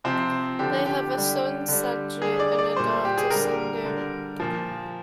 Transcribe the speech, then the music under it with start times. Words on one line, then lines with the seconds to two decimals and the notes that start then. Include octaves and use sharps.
They have a son Saji and a daughter Sindhu.
0.04 C3 F3 C4
0.59 D3 F3 G4
0.86 G4
1.13 D3 G3
1.68 D3 G3
2.22 D3 G3 G#4
2.40 D5
2.58 D5
2.76 A#2 G3 C5
3.05 G4
3.17 G#4
3.30 D3 G3 A#4
3.85 D3 G3
4.40 A#2 F3